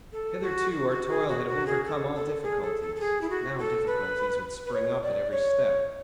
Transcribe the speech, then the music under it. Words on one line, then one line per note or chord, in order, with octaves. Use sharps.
Hitherto our toil had overcome all difficulties, now difficulties would spring up at every step.
A4
F#4
F#4
F#4
G#4
F#4
F#4
G#4
A4
A4
G#4
A4
A4
A4
G#4
E4
F#4
A4
B4
B4
C#5
D5
C#5